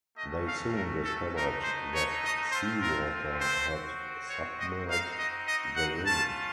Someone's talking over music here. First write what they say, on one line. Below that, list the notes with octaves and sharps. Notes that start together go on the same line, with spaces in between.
They soon discovered that seawater had submerged the room.
A3 C#4 F#4 D#5
F5
A#4
A4
A3 D#4 F#4 A#4
C5
C#5
D#5
A3 C4 F4 C5
A#4
C5
C4 F#4
C#5
D#5
C4 D#4 F#4 F5
D#5
D#5
F#5
A3 C#4 F4 A5